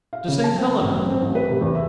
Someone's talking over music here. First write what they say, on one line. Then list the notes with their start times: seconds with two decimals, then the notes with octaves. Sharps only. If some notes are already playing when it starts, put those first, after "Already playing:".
"To Saint Helena."
0.13 F5
0.28 C#3
0.44 A5
0.58 C4
0.81 A1
0.94 F#2
1.10 C4
1.22 A1
1.35 B4
1.49 C3
1.61 E2
1.75 E5